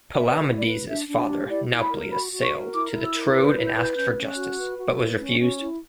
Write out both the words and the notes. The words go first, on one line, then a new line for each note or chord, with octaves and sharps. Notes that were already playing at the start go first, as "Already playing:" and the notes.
Palamedes' father Nauplius sailed to the Troad and asked for justice, but was refused.
E5
B4 D5
E4
D5
B4
D4 E5
D4
F#5
G4
E4 D5
E4
B5
A#4
F#4 B5
F#4
C#6
A#4
E4 D6
E4
E6
A#4
B4 F#6
G6
E4
G6
B4
G6
C#4 G6
C#4
F#6
F#4
B4
F#4
B4
C#4
C#4
E4